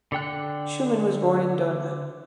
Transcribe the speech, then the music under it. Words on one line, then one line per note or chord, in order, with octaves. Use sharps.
Schumann was born in Dohna.
D3 A4 G5 F#6